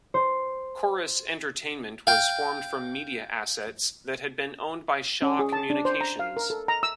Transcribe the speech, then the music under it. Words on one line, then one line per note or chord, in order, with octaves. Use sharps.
Corus Entertainment was formed from media assets that had been owned by Shaw Communications.
C5
F5 G5
C#4
G#4
A5
D4
C5
A#5
F5
A#4
A4
A#5
E6